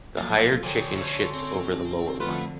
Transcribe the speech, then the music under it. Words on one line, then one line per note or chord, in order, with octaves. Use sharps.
The higher chicken shits over the lower one.
F3 F#3 A#3 F4 A4
A#2 D3 F#4 A4 C5 C#5 G5 G#5
A3 C#4 C5
C4
F2 D3 A3 B3 F4 B4